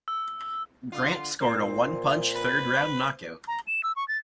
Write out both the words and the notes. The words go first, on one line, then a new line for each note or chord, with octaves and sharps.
Grant scored a one-punch third-round knockout.
E6
D3 F4
A#2 C4
B4
A#5
E7
E6
C#6
A6